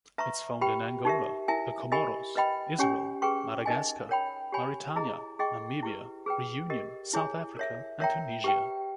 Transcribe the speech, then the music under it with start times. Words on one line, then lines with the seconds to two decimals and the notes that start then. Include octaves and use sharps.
It’s found in Angola, the Comoros, Israel, Madagascar, Mauritania, Namibia, Reunion, South Africa and Tunisia.
0.18 B4 E5 A#5 C#6
0.61 G4 B4 G5 B5
1.05 D#4 G4 A#4 E5
1.48 E4 A#4 E5 G#5
1.92 G4 A#4 D#5 G#5 B5
2.36 B4 D#5 G5 B5
2.79 C#4 G4 C#5 G#5
3.22 G#4 B4 G5 C#6
3.66 D#4 A#4 D#5 G#5
4.09 A#4 C#5 G5 B5
4.52 G4 C#5 G#5 B5
4.96 E4 G#4 D#5 A#5
5.39 G#4 D#5 G5 C#6
5.83 E4 G4 B4
6.26 G#4 B4 G5
6.70 G4 A#4 D#5
7.13 E4 G#4 C#5 G#5
7.57 A#4 C#5 E5
8.00 A#4 C#5 E5 G5 A#5
8.44 G4 B4 G5